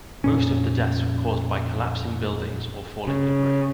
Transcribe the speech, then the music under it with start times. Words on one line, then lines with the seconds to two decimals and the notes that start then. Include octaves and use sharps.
Most of the deaths were caused by collapsing buildings or falling debris.
0.24 F2 A#2 C#4
3.07 C#3